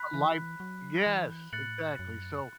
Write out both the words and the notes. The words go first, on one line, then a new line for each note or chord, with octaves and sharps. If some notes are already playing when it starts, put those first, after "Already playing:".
l life Yes, exactly. So,
Already playing: B5 F#6 B6
E3
F#3
E3
A2 F#6 A6 C#7 F#7
F#2